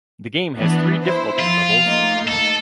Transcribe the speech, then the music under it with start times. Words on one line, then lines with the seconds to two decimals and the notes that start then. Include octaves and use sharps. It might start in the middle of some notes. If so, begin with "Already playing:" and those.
The game has three difficulty levels.
0.57 E3 B3 D4
1.04 E4 C5
1.39 F3 F4
1.83 A3 A#3 D#4
2.28 A4